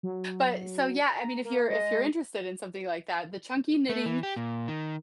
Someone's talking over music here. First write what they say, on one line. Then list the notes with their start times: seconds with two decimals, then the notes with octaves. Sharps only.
but so, yeah, I mean if you're if you're interested in something like that, the chunky knitting
0.03 F#3
1.05 A#5
1.45 A#3
1.70 G#3 D#5
3.89 A3
4.06 E3
4.23 G4
4.36 A#2
4.68 D#3